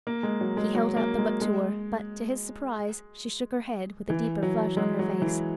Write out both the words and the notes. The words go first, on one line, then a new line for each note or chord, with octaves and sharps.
He held out the book to her, but, to his surprise, she shook her head, with a deeper flush on her face.
A#3
G#3
F#3
G#3
F#3
A#3
G#3
G#3
E3
F#3
G#3
F#3
E3